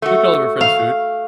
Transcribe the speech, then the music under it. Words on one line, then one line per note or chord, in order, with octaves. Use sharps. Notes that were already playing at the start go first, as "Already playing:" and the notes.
Cooked all of her friend's food.
A3 F#4
F5